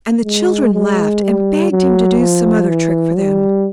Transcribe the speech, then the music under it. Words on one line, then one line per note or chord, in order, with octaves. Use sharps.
And the children laughed, and begged him to do some other trick for them.
G#3
G#3
G3
F#3
F3
E3
G3